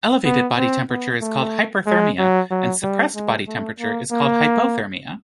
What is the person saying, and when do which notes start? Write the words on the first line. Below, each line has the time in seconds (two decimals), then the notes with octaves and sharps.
Elevated body temperature is called hyperthermia, and suppressed body temperature is called hypothermia.
0.25 B3
0.58 C4
0.90 B3
1.22 A3
1.86 G#3
2.19 F#3
2.51 F#3
2.83 G3
3.15 G#3
3.48 A3
3.79 A#3
4.11 A#3